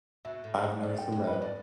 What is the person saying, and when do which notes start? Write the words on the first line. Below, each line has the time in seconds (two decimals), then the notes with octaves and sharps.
I've never seen that.
0.25 B2 E5
0.44 A2
0.64 G2
0.83 A2 D5
0.98 G5
1.12 G2
1.27 B4
1.33 G2
1.42 A2 D5